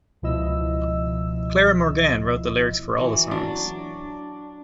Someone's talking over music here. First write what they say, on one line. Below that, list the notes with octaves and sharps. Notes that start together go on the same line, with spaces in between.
Clara Morgane wrote the lyrics for all the songs.
C#2 B2 F3 E4 D#5 E6
E3 F#3
F#3 D4